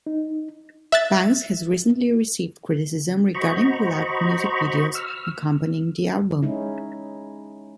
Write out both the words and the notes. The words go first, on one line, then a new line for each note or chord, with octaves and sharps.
Banks has recently received criticism regarding the lack of music videos accompanying the album.
D#4
E5 F#6 A6
F#4 C5 D#5 A#5 B5 C#6
E6 F6
G#3 C#4 D#4 E4